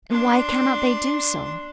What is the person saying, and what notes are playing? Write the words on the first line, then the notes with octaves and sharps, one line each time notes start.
And why cannot they do so?
D4 C6